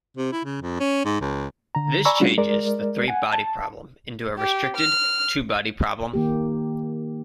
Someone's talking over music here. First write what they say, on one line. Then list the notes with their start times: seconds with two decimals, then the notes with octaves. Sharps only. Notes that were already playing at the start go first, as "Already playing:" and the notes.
This changes the three-body problem into a restricted two-body problem.
0.17 C3
0.32 E4
0.44 C#3
0.61 F2
0.79 C#4
1.05 G#2
1.21 C#2
1.75 D3 A#5
2.05 D5 G#5 A#5 B5 C#6 E6
2.20 G3 A3 C#4 D4 F4 F#4
2.38 G#3 A#4 D5
3.08 F#5 G#5
3.33 A5
4.39 G4
4.77 F6
6.13 D#3 A#3 G4